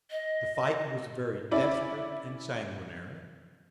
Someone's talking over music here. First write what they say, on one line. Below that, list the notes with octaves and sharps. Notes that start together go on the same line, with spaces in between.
The fight was very desperate and sanguinary.
D#5
C#4 E4 D5 E5